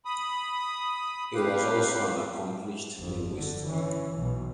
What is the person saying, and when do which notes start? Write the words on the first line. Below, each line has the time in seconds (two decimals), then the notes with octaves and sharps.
He was also an accomplished linguist.
0.05 B5 D#6
1.35 C3 G4 B4 F5
2.97 G1 F2
3.36 D3
3.66 E3 C#4
4.18 B1 B2